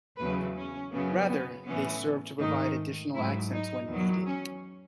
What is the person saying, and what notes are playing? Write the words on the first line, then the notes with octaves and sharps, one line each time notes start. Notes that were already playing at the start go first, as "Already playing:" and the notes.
Rather, they serve to provide additional accents when needed.
E2 C#3 F#3 A3 B4
C#4
F#2 C#3 F#3 B3
B3
A2 E3 B3 C#4
G#2 D#3 A3 D#4
G#2 F#3 A3 E4
D#4
E2 D#3 F#3
C#4